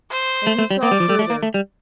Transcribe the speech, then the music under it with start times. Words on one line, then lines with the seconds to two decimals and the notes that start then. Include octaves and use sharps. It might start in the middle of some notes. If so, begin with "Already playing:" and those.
And he saw further.
0.10 C5
0.47 A3
0.59 A3
0.71 G3
0.82 A#3 D5
0.91 G3
1.00 F3
1.09 G3
1.19 A3
1.30 A#3
1.43 A3
1.54 G3